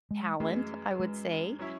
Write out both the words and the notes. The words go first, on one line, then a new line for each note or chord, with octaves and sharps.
talent, I would say,
G#3
F#2 E3 G#3 A3
G#3
F#3 C#4 E4